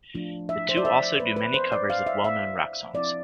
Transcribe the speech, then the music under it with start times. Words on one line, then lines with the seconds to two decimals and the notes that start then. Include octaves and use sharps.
The two also do many covers of well-known rock songs.
0.15 F3 A3 D4 F4
0.49 E5
0.69 C5
0.77 D5
0.85 E5
1.20 B4
1.36 B4
1.54 C5
1.72 D5
1.90 F5
2.07 E5
2.24 E5
2.94 F3 C4 E4 D5